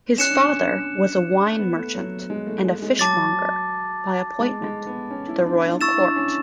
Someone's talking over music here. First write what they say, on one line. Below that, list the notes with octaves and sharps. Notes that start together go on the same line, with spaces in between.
His father was a wine-merchant and a fishmonger by appointment to the Royal Court.
C#4 F#6 C#7 E7
D4
C#4
B3
A3
F#3
G#3
A3
G#3
G#3
F#3 A5 D6 A6
G#3
G#3
B3
C#4
E4
D4
D4
E4 C#6 E6 A6 E7
E4
D4
C#4